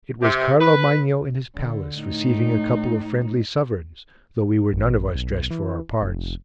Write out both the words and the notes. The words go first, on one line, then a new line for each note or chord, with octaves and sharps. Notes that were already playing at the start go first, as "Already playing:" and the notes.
It was Carlo Magno in his palace receiving a couple of friendly sovereigns, though we were none of us dressed for our parts.
C3
B4
D3
A2 D#4
A1
B1
E3
F1